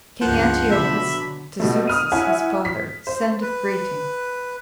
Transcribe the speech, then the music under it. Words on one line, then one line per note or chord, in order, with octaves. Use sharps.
King Antiochus To Zeuxis His Father, Sendeth Greeting.
C#2 G2 F3 F#5
B2 D3 F#3 E5 B5
B2 G3 A3
D#6 F6 D#7
E4 C#5 E5 F#5 G#5
B6
C5
B4